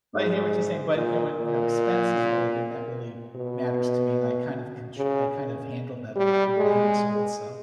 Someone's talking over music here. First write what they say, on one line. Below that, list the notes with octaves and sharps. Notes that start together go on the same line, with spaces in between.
I hear what you're saying, but you know, when, you know, expenses and everything that really matters to me and I kind of contr I kind of handled that a lot in the household, so
G#2
A#2
A#2
B2
C#3
G3
G#3